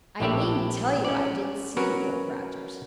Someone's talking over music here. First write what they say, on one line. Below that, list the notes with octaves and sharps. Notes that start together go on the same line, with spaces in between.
"I needn't tell you I didn't see you, Old Rogers."
A#1 A2 D4 G4 D5 E5
C#4 D5
F#3 C#4 F#4 A#4 B4